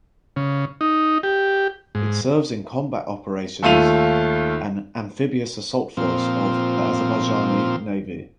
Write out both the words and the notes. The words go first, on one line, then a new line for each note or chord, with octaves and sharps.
It serves in combat operations an amphibious assault force of the Azerbaijani Navy.
C#3
D#4
G4
G#2
D#2 A3 F4 D#7 F7
A#2 F3 C4